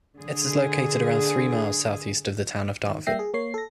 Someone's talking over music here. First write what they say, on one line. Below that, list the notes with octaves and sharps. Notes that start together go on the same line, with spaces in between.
It is located around three miles southeast of the town of Dartford.
D3 G#4
D#3
G3 A#3 E5 G5 A#6 C7
G#4
A#3 C#5 C7
A4 A#6